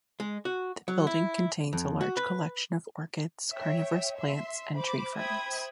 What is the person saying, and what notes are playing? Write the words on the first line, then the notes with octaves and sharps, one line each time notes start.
The building contains a large collection of orchids, carnivorous plants and tree ferns.
G#3
F#4
F#3
E4
F2
F#4
B4
C#5 E5 G5
E5 C6
C5 B5 D6
C5 E5 G5 B5 D#6 G#6